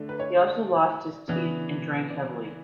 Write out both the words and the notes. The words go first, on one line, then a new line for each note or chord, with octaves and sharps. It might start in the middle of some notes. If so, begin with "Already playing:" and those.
He also lost his teeth and drank heavily.
Already playing: D3 A3 D4
B4
C#5
D5
C#3 E3 B3 D4
D5